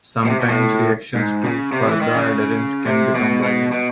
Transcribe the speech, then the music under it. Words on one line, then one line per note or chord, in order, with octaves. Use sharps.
Sometimes reactions to purdah adherence can become violent.
B2
C3
B2
A2
G#2
C#3
C3
E3
D#3
C#3
C3
B2
B2
B2